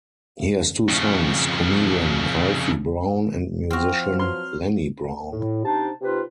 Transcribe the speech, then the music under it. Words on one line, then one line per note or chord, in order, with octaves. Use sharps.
He has two sons, comedian Alfie Brown and musician Lenny Brown.
F2 C#3
F3 C4 F#4 F6
F#3 B4 C6 F6
A2
C3 D4 D#4 C5 A5
C3 D#4 F4 B4